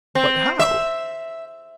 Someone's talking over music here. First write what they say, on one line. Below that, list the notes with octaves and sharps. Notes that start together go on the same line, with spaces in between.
"But how?"
C4
E5